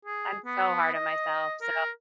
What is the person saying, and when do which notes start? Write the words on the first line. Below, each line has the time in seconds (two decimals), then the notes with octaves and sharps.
I'm so hard on myself, so
0.05 G#4
0.45 B3
0.94 D#5
1.61 A#4